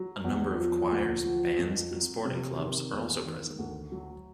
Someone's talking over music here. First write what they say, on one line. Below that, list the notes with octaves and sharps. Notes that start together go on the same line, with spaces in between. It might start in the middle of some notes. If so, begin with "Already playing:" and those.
A number of choirs, bands and sporting clubs are also present.
Already playing: F#3
E2
F3
D2
F3
F2
F#3
C3
D#3
E2
D#3
D2
F#3